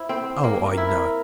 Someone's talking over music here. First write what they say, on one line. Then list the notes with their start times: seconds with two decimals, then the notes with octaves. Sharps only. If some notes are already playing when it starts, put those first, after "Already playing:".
'Oh, I know.
Already playing: E4 C5
0.09 C4
0.43 A#3 A#4
0.66 A#4
0.77 E4
0.89 A#4